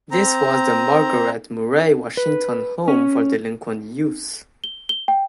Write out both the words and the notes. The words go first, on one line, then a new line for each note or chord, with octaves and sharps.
This was the Margaret Murray Washington Home for Delinquent Youths.
C4 A#5
B4
C#4
G7
G7
G5